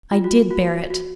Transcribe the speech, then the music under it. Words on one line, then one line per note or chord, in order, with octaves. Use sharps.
I did bear it.
F4
F#4
F#4
F#4